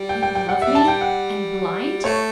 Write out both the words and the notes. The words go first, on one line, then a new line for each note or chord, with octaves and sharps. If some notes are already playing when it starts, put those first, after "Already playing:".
'You love me, and blind?'
Already playing: G3
G5
G5
G5
G3 F#5
G3 E5
A5
G3 G5
F#5
A3 C#5